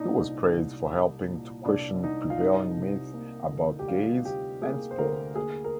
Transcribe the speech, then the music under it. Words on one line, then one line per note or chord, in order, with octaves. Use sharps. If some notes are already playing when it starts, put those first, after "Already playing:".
He was praised for helping to question prevailing myths about gays and sport.
Already playing: A#2 D4 D#4
C2 D#4
C2
G3
A#2
C2 D4
C2 D#4
F4
G3 D#4
C3
A#3
D2
G4
G3 F4
C3 G4
A#3 G#4
C5
D2 A#4
A#3 G#4
A#4